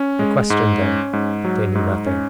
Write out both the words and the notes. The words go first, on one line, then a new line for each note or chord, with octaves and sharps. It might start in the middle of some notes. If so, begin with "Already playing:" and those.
I questioned them. They knew nothing.
Already playing: C#4
G#3
G#2
C#4
G#2
F#3
G#2
C#4